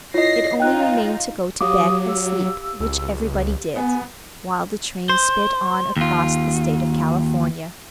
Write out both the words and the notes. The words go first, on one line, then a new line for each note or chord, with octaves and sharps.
It only remained to go to bed and sleep which everybody did--while the train sped on across the State of California.
E4 F4 C#5 D#5 A#6 C7
D#4 F4 G5 F#6
F#3 G4 F5 D6 D#6
E6
C#2
B3 G#5
C5
D#2 F4